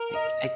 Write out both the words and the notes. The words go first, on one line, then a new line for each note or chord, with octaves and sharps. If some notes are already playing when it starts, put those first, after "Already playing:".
I I
Already playing: A#4
D#5